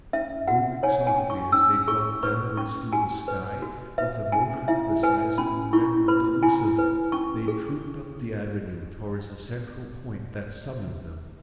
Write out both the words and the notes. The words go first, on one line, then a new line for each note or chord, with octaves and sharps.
Booming softly as they dropped downwards through the sky, with a motion the size of them rendered delusive, they trooped up the Avenue towards the central point that summoned them.
C#4 E5
F#4 F#5
C#5 G#5
G#5
C#4
C#6
C#4 E6
G#4 C#6
B4 C#6
C#4 C#6
F#4 G#5
B4
F#4
B4 E5
C#4 G#5
E4 E5
B4 G#5
C#4 B5
E4 C#6
B4 B5
E4 G#5
B4
C#4 C#6
G#4